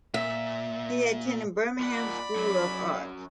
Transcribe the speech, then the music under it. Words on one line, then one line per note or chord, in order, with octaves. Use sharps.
He attended Birmingham School of Art.
A#2 E5
A#2 D5 F#5 B5
F#2 F#3